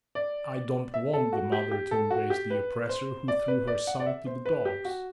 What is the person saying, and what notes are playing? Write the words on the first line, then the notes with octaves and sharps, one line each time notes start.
I don't want the mother to embrace the oppressor who threw her son to the dogs!
D5
E5
A4
F#4
G4
G4
A4
F#4
G4
B4
C5
D5
B4
D5
F#5
D5
E5
C5
B4
G4
F#4